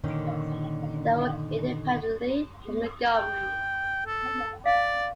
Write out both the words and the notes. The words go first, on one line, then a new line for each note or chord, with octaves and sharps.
They work independently from the government.
A#2 D3 D#3 C#4
G5
A4
D5 F5